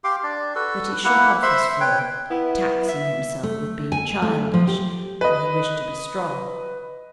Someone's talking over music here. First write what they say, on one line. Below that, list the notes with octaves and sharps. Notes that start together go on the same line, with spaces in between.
But he shook off his fear, taxing himself with being childish, when he wished to be strong.
G4 F5 C6 D6
D4 D5
F#4 A4 B4
A#3 E4 B4 F#5
C5 E5 B5 C6
B4 C#5 G5
B3 E4
E5
A3
G#5
A3
F3
G4
B4 D#5